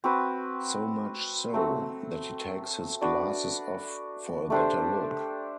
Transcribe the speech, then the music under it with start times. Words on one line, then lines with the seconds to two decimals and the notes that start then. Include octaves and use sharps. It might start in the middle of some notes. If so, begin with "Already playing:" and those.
So much so, that he takes his glasses off for a better look.
0.04 C4 F#4 B4
1.53 F#3 A3 C4
3.01 D4 F#4 B4 D5
4.50 A3 D4 G4 C5